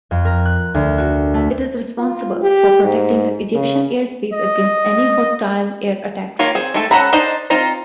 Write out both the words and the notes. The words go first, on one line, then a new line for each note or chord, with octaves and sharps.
It is responsible for protecting the Egyptian airspace against any hostile air attacks.
F2
A#4
F#6
D2
F#4
A3
F4
G4
G#2
C#3
D#5
D#3 A#3 F4 C#5
C4 G#4
G#3 A3 A4
C#4 A4 F#5 A#5 B5
D4 D#4 C5 D#5
C4 D#4 F4 A#5